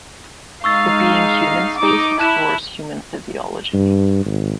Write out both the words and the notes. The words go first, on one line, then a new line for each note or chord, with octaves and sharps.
The Being Human space explores human physiology.
G#3 D#4 F5 C#6 E6 A6
D#4 D6
E4 A5 F#6 E7
G2
G#1